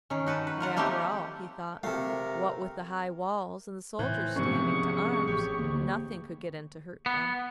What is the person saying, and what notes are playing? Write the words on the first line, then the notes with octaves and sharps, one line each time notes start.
And after all, he thought, what with the high walls and the soldiers standing to arms, nothing could get in to hurt them.
D#3 C#4
D#4 F#4 B4 A5
B4
F4 A#4 F#5
G3 A3 A#3 C4 D#4 G4
C3 A3 A4 A#4 F5
A2 E3 C5
G#1 A2 C3 F3 B3 C#4 D#4 C#6
G#4
A1 G4
D2 D3 A#3
B3